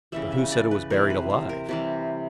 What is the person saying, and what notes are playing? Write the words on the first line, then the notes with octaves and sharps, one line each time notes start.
"But who said it was buried alive?"
C#3 E3 G3 E5
E5
D5
B4
C3 E3 G3 A#4
B4
C5
A#4
C3 E3 G3